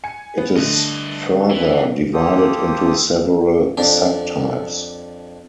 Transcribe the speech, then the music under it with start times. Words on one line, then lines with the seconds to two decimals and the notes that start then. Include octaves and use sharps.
It is further divided into several subtypes.
0.04 G#5 C#7
0.38 B3
0.56 G2 D3 A3 D#5
1.50 E3
2.13 A#3 G4 A4 C5 D#6
3.77 F2 D4